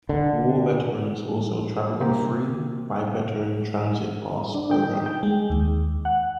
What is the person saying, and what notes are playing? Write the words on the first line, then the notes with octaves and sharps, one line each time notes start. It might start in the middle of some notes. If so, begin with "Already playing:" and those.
War veterans also travel for free by Veteran Transit Pass Program.
D3
C3 A#3 C4 G4
D4
G5
D#4
G5
G#3
D#2
F#5